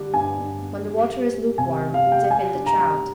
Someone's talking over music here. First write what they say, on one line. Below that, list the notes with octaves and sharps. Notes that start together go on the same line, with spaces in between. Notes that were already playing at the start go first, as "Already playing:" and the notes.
When the water is lukewarm, dip in the trout.
Already playing: D3 G3 D4
G2 G#5
G2
G2
G3
G3
G3
C3 G#5
G3
F5
G3
G5
G3 G#5
D4
A#5
G3